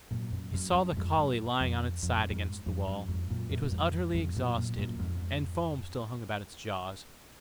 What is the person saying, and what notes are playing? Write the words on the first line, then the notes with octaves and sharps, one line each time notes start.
He saw the collie lying on its side against the wall; it was utterly exhausted, and foam still hung about its jaws.
F#2 A#2
F#2
F#2
F#2
A#2
F2 G#2
F#2
F2
F2
F#2
F2 G#2
F2 G#2
F#2
F2 G#2
F#2 A#2
F#2 A#2
F2 G#2
F2 G#2
F#2 A#2
F#2 A#2
F#2 A#2
F2 G#2